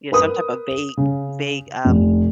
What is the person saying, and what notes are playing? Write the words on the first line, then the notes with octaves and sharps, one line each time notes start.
Yeah, some type of vague vague, um
A#4 B4 D#6
C#3
F1